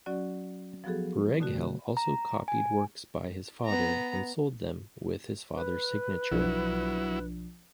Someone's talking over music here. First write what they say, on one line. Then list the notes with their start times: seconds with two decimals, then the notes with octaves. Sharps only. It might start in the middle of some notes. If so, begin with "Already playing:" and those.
Brueghel also copied works by his father and sold them with his father's signature.
0.06 F#3 C#4 F#4 D5
0.84 F3 F#3 B3 F#4 G#4 A4
1.40 B2 D3 A3 F#4
1.97 A#5
2.48 G#5
3.65 B3 A#5
5.56 B4
6.31 B1 F3 F#3 D4 E4